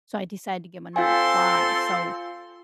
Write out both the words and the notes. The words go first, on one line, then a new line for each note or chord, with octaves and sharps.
So I decided to give 'em another try, so
C4 F4 A4 F5 G#5 C6